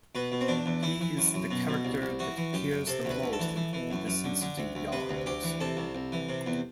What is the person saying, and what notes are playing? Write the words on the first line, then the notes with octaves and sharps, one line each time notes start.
He is the character that appears the most in all the Sin City yarns.
B2 B4
B2
C4
E2 D4
E2
E3 E4
E3
F#2
F#2
B2
B2
C2
C2
E3 F#4
E3
F#2 G4
F#2
C3 A4
D2
B4
D2
A4
E3
E3
E3
F#2
F#2
D3
D3
D2
D2
C3 B4
D2
D2 G4
E3
C3 A4
C2
C2
E3
C3
E2